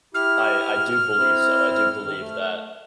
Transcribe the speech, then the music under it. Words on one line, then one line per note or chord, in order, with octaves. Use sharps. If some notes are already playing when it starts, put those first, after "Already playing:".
I I do believe so. I do believe that,
E4 G4 F6
C4 E4
D#3
A3